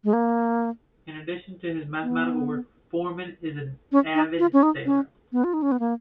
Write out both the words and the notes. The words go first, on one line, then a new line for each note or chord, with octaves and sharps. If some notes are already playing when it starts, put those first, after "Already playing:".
In addition to his mathematical work, Foreman is an avid sailor.
G#3
A#3
B3
C#4
D#4
F4
C#4
D#4
C#4
B3
F4
D#4
C#4
B3
A#3